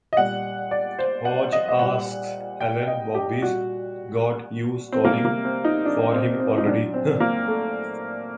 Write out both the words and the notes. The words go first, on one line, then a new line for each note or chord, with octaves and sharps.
Hotch asks Helen Bobby's got you scoring for him already huh?
D#5
A#2 G3 F#5
D5
C5
F#5
D#5
D#5
A#2 G3 F#5
G5
D#5
G4
A#2 G3 F#4
C4
C3 G3 A#3
A#3
C4
D#4
D4
C4
C4
D#4
A#2 F#3 D4
C4
A#3
A3